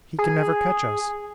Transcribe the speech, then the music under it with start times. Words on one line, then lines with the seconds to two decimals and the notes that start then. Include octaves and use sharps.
He can never catch us.
0.18 G#4